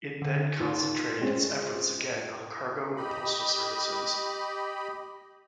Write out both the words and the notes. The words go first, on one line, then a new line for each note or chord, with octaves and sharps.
It then concentrated its efforts again on cargo and postal services.
D3
D#2 F4
G#3 C4 C#4
G4 D#5 B5